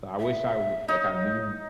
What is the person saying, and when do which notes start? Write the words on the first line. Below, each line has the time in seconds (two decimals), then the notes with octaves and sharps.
So, I wish I would like, I knew
0.20 E5
0.88 D#4 C#5